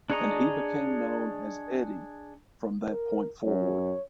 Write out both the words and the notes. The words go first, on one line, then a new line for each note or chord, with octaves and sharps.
And he became known as Eddy from that point forward.
D4 G#4 C#5 D#5 A#5
A#4
F#2 C#5